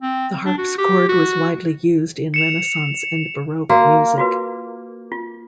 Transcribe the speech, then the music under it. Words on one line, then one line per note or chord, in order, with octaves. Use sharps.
The harpsichord was widely used in Renaissance and Baroque music.
C4
D4
F#4
G4
F#4
C#7 E7 F7
A#3 F#4 A#4
F4 F#4 B4
F4